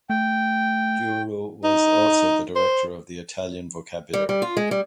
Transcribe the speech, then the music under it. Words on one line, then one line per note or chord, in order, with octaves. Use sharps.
Duro was also the director of the Italian Vocabulary.
A3 G5
D#4
C5
G3
G3
F4
G#3
G3